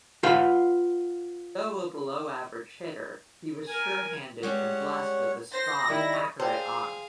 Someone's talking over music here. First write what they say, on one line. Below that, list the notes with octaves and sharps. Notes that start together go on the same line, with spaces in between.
Though a below-average hitter, he was sure-handed and blessed with a strong, accurate arm.
F4 B4 F5 F#5
A#4 G#5
G3 G#3 C#4 C#5 F#5
C5 A#6
D#3 G3 E4
G#4 C5 D5 F5 G5 A5